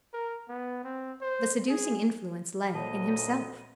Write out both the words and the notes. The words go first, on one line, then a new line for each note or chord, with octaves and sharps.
The seducing influence lay in himself.
A#4
B3
C4
C5
G#4
D2 A#2 C#5 D#5 A5